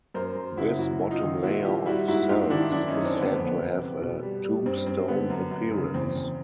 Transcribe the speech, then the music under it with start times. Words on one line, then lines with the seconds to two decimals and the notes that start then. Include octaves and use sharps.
This bottom layer of cells is said to have a "tombstone appearance".
0.14 F#2 A#4 C5
0.35 F#2
0.57 C#3 E4 F#4
0.78 F#2 E4 F#4
1.00 F#2
1.11 D#4 F4
1.22 D#3
1.43 A#2 E4 F#4
1.64 G3 F4 G4
1.86 G3 E4 F#4
2.08 G#2 E4 F#4
2.29 G#2 F4 G4
2.50 D#3 D4 E4
2.72 F#2 D4 E4
2.88 C#4 D#4
2.94 F#2
3.04 C4 D4
3.15 D3 B3
3.32 F2 C4
3.45 B3
3.58 F2
3.79 C3
4.02 B2
4.23 G3
4.44 G3
4.66 G2 C4
4.86 G2 C4
5.08 D3 B3
5.30 F#2
5.51 F#2
5.73 C#3
5.94 E2 C4
6.15 E2